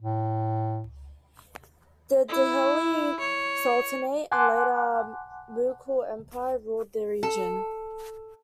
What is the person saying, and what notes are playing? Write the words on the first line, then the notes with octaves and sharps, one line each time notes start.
The Delhi Sultanate and later Mughal Empire ruled the region.
A2
E4
C#5
F#5 G#5 A5 C6 D6 F#6
A4